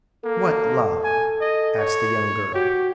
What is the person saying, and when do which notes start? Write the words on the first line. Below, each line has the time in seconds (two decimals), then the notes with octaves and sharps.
"What love?" asked the young girl.
0.25 A#3 A4
1.04 G#5
1.41 D#5
1.78 C#5
2.55 F#4 G4